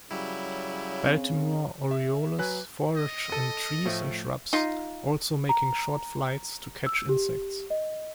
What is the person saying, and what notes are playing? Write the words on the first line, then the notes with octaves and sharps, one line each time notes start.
Baltimore orioles forage in trees and shrubs, also making short flights to catch insects.
C#3 F#3 G3 E4
C4
E5
F#3 B4 G#5 F#6
D#5
A4 D#7
A2 F3 A3
D#4 F4
A#5
E6
G4
D#5